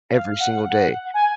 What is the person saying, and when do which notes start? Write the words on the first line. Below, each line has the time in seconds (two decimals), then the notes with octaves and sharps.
every single day.
0.10 F5
0.39 F#5
0.68 F#5
1.14 G#5